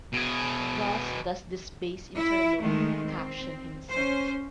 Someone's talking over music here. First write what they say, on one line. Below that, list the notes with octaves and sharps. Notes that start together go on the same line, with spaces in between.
Thus does this base interloper caption himself.
B2 G#4
E4
D#3 G#3 A3
C4
C#4 C5